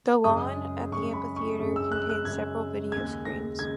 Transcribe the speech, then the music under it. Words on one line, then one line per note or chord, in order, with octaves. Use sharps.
The lawn at the amphitheater contains several video screens.
F#2 C#3 G#3 D#6
F#2 C#3 G#3 C#6
B5
C#6
F#2 C#3 G#3 C#6
E6
F#6
F#6
F#2 C#3 G#3 G#6
D#2 C#3 G#3 G#6
A#6
C#3 G#3 G#6